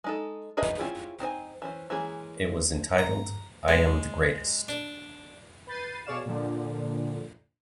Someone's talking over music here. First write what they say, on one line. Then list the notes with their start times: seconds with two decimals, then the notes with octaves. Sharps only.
It was entitled I Am the Greatest!
0.04 G#3 D#4 A4
0.57 D#4 G#4 B4 D#5 E5
0.79 C4 C#4 E4 F4 G#4
1.20 C4 D#4 C5 G#5
1.62 E3 C#4 C5
1.90 E3 G#3 A#3 C#4 G#4
2.98 A#5
3.68 G#3
4.68 D4
5.67 B4 G6 A6 C7 D#7
6.05 B2 G#4 C#5 D5 F5 E7
6.26 A#2 D3 F3 D4